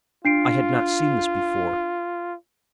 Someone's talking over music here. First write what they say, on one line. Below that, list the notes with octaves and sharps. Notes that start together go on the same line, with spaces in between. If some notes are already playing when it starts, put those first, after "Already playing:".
I had not seen this before.
D4 F4 C7 D7